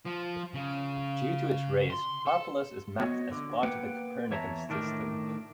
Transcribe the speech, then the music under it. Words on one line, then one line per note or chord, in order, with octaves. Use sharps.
Due to its rays, Harpalus is mapped as part of the Copernican System.
F3
C#3
C6
A4
B3 F#4 C#5 D#5
D3
A#3 B4 F#5 G5
E2 E3 C#5 E5 A5 A#5
A2 D#3 A3 D4 A#4